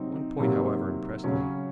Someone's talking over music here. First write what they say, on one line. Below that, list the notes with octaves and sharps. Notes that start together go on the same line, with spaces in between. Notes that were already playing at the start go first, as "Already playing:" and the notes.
One point, however, impressed me.
Already playing: C3 F#3 C4 D#4
C3 D#3 F#3 A#3
C#3 F#3 C#4